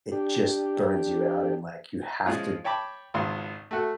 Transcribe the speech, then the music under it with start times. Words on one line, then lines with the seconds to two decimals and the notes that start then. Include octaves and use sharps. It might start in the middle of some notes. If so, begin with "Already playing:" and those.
it just burns you out and, like, you have to d
0.12 D4 G4
2.26 F3 G#3 C#4 F4
2.64 C#5 G5 A5 B5 D6
3.14 G#1 C#2 G#3 F4 C6
3.71 A3 F#4 A4